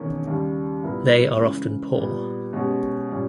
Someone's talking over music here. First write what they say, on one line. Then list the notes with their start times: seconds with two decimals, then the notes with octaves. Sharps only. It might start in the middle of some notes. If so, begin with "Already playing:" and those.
They are often poor.
Already playing: E1 E2 D#3 A#3 C#4
0.27 D#2 C#3 G3
0.83 A#2 G3 B3 E4 A#4
1.40 C#2 C#3 E3 G#3
1.97 A#2 G3 B3
2.53 B2 G#3 C#4 G4
3.09 A#2 G3 C#4